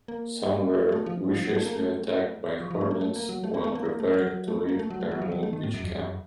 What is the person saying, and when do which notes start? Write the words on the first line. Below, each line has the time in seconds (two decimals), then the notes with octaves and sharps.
Some were viciously attacked by hornets while preparing to leave a remote beach camp.
0.08 A#3
0.92 A3
1.06 F3
1.34 F3
1.45 F#3
1.55 A3
1.66 A#3
1.76 A3
2.60 F3
2.71 F3
2.81 A3
2.91 A#3
3.01 A3
3.16 A#3
3.29 F#3
3.44 A3
3.54 A#3
3.64 A3
3.75 A#3
3.85 A#3
4.00 A3
4.14 F#3
4.27 F#3
4.48 A3
4.69 A#3
4.79 A3
4.90 F#3
5.01 A3
5.11 F#3
5.22 F3
5.32 F#3
5.43 A3
5.53 D#3
5.64 A2
5.74 F#2
5.84 F2
5.95 F#2